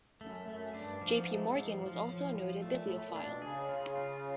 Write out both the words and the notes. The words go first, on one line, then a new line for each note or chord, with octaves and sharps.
J. P. Morgan was also a noted bibliophile.
F#2 A3
F#2 A3
G2 D4
G#2 F3
A3
F3
A2 F3
F3
F3
A2
A#2 A3
A2
A3
A#2
D4
B2
C#3 G#4
F4
F4